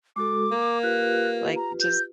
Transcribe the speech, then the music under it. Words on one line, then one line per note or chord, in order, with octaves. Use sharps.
like, just
G#3 F#4 A4 D6
A#3 A#5
F4 G4 B4 F#6
A#5
G6